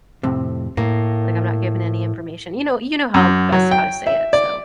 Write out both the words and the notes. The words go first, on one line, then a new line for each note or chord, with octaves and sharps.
like, I'm not given any information." You know you know how best how to say it. So
F2 A2 C3
A2 A#3
F#2
F#3
G5
E5
D5